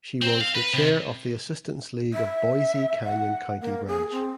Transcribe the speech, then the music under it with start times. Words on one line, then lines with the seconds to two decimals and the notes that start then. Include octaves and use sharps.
She was the chair of the Assistance League of Boise Canyon County Branch.
0.22 C4
0.41 F5
0.55 B4
0.74 C3
2.14 E5
3.04 F#5
3.61 A#3
3.88 G#4
4.12 C4